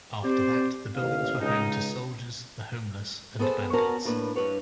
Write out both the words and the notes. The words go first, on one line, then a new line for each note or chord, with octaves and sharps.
After that, the buildings were home to soldiers, the homeless, and bandits.
C4 G4 C5 D5
A1 D#2 F5
C#2 D#4
B3 G#4 A4 C5
B3 C#4 F#4 A#4 A5 A#5
A2 A#3 D4 B4
G2 D#3 B4 C#5